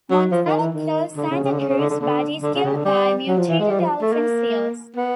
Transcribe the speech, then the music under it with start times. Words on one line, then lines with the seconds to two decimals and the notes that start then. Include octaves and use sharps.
Montana kills Santa Cruz, but is killed by mutated elephant seals.
0.11 F#3
0.31 F3
0.46 D#3
0.59 E3
0.74 D#3
1.16 D3
1.30 C#3
1.44 C#3
1.52 D3
1.59 C#3
1.69 C#3
1.79 D3
1.90 D3
2.01 D3
2.42 D3
2.54 C#3
2.64 C#3
2.74 D3
2.85 G3
3.27 F#3
3.38 F3
3.48 E3
3.60 G#3
3.70 G3
3.80 F3
4.01 A3
4.12 A#3
4.96 B3